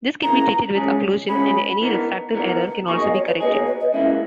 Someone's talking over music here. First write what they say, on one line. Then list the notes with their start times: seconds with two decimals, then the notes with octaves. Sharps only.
This can be treated with occlusion, and any refractive error can also be corrected.
0.23 C#3 E3 A#3 A#5
0.76 E2 C#3 G#3 C#4 G#4
1.29 E2 C#3 G#3 C#4 G#4 B5
1.81 E3 B3 D#4 A#4
2.34 E3 B3 D#4 A#4
2.88 B2 A#3 D#4 G#4 C#6
3.01 D#5
3.14 C#5
3.27 B4
3.40 B2 A#3 D#4 G#4 D#5
3.54 C#5
3.67 B4
3.80 D#5
3.93 C#2 C#3 E3 A#3 E4 E5